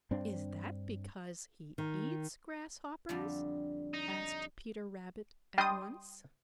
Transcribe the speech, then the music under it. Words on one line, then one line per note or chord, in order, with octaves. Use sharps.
"Is that because he eats Grasshoppers?" asked Peter Rabbit at once.
G2 C4 D4
D#3
F2 D3 G3
D#4
G3 D4 D#5 G5 C6 D#6